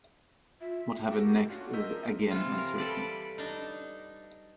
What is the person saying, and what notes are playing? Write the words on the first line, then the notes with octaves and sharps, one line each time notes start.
What happened next is again uncertain.
F4 E5
G3 A#3 F#4 G4 A4
A2
A3 C#4 D4 F4 F#4
A#4 D#5 E6 G6 B6
F3
C3 E3 F4
A#4
G3 A4 B4 D5
D4 D#4